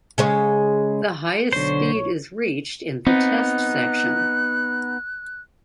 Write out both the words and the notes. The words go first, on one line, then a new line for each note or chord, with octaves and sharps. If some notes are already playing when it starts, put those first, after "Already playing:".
The highest speed is reached in the test section.
C#3 G#3 C#5
B1 D3 C5 C#5
B3 C4 D#4 F#6